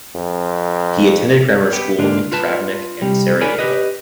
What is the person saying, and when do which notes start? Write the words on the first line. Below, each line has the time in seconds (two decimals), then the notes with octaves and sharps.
He attended grammar school in Travnik and Sarajevo.
0.16 F2
1.73 B3 G4
1.98 G#2 D3 A#3 D4 F4
2.32 F4 B4 A5
3.02 C3 G3
3.41 A#4 C#5 D5 F#5 G#5 B5
3.59 G4 B4 D#5